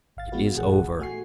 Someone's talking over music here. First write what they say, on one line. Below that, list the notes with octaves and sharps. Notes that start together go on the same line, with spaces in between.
It is over.
G#1 F5 A6
E3 G#3 B3 F#4 B4
A#1 G#4 F#5
A3 F#4 G#5 C#6 C7